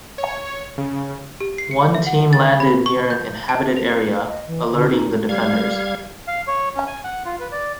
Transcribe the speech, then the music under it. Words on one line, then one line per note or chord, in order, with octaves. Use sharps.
One team landed near an inhabited area, alerting the defenders.
C#5
C#3
G4
C7
C#7
E5
F#5
A6
B5
C#6
G6
A5
F7
D#5
E3
D3
D#4
G3 F5 G#6
F5
C#5
C#4
G#5
F#5
F4
B4
D5